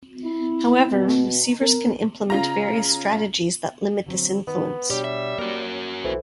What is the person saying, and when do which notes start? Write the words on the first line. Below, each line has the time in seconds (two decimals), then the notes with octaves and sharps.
However, receivers can implement various strategies that limit this influence.
0.24 E4
0.91 B2
1.61 A#4
2.30 C#3 F4 A#5
4.06 D3 F#3 C4
4.47 D#3 B3
4.90 B2 G3 D4 G4 C#5
5.04 E5
5.39 A#3 F#4 A#4
6.04 B1 E3 A4 C5